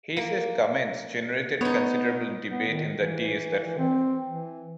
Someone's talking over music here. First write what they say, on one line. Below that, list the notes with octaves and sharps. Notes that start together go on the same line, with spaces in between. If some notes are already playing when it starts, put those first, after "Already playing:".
Hayes's comments generated considerable debate in the days that followed.
A#3
B3 D#4 C#5
B3
D#3
E3
C4
E3